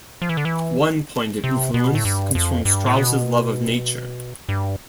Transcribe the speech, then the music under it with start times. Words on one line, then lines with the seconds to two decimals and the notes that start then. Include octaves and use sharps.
One point of influence comes from Strauss's love of nature.
0.22 F3
0.29 E3
0.37 D3
0.45 E3
1.44 C3
1.74 B2
1.95 A2
2.05 G2
2.35 F2
2.65 G2
2.86 A2
2.96 B2
4.49 G2